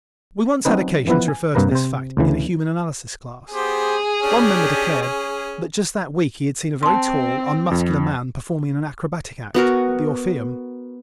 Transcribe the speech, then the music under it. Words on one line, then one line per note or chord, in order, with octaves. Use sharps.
We once had occasion to refer to this fact in a Human Analysis Class. One member declared that just that week he had seen a very tall, unmuscular man performing in an acrobatic act at the Orpheum.
F#3 C4 C#4 D#4 B4
E3 F3 B3 E4 B4
G#5
G2 C3 A#3 B4 A#5
C3 C5
D2 C#3 E3
B3 G4 G#4 C5
C#4 D4 G4
C#4
C4 A5 C6
F2
B3 F#4 A#4